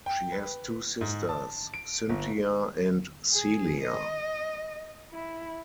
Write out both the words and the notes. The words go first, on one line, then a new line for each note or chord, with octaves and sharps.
She has two sisters, Cynthia and Celia.
G5
B4
G#2
A5
D7
G1
G#4
D#5
E4